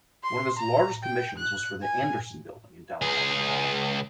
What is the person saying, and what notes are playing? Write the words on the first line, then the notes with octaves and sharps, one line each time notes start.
One of his largest commissions was for the Anderson Building in downtown Toronto.
C6
A#5
G5
F#6
G#5
C#2 G#4